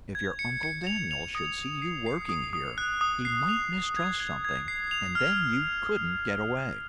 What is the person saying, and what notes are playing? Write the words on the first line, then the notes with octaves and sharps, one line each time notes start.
"If your uncle Daniel should see you working here, he might mistrust something, and then you couldn't get away."
G#6
C#7
C#7
F7
F7
D#6
F7
C7
C7
D#6
D#6
F#6
D#6
C7
F7
F7
G#6
G#6
G#6
C7
F7
F6